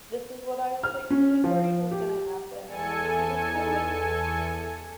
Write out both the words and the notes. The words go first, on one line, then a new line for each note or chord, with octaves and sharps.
this is what I was, like, really worried was gonna happen." And then she was kinda, like,
F6
C#4
F3
G4
E2 A4 G#5 C#7